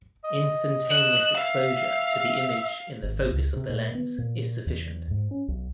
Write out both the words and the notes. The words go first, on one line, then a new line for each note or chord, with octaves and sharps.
Instantaneous exposure to the image in the focus of the lens is sufficient.
D#5
F#6 E7
E5 F5
G#1
C#2
C3
A#2
B3
A#2
E2
G#2
C#4
B1